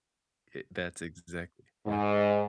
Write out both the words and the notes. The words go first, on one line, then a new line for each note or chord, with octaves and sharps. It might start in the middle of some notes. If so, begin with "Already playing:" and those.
It that's exactly Yeah.
G#2